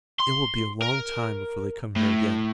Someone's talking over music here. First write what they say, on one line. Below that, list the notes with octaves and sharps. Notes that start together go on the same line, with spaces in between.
It will be a long time before they come here again.
C6
A#4
A2